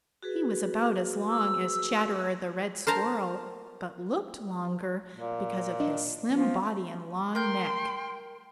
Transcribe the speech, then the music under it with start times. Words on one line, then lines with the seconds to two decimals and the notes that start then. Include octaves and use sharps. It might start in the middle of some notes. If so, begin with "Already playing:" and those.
He was about as long as Chatterer the Red Squirrel but looked longer because of his slim body and long neck.
0.23 F#4 G#4 B4
1.30 E6
2.87 A#4 C5 A5 A#5
5.15 A#2
5.80 D4 D#5
6.31 F3 B3
7.35 A#4 G5 C6 G6